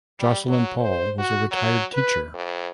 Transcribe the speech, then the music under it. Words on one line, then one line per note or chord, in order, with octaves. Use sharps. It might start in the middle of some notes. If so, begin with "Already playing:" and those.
Jocelyn Paul was a retired teacher.
G3
F#3
C5
F#4
F#3
B4
F2